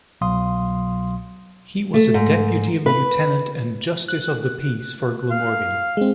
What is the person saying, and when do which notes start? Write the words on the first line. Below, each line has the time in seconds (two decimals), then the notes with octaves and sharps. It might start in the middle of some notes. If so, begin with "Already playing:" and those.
He was a Deputy Lieutenant and Justice of the Peace for Glamorgan.
0.21 C2 B2 F#3 F5 C6 D#6
1.94 A3
2.14 G#2
2.86 B4
4.08 F#6
5.31 F5
5.97 G#3 C4